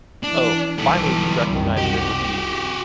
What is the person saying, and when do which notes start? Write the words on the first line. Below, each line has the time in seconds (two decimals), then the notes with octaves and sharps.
Oh, finally she recognized her Davide!
0.24 E3 D4
0.78 B1 E3 G3 A4
1.47 C2 F#2 D#3
1.78 C2 F#4 G4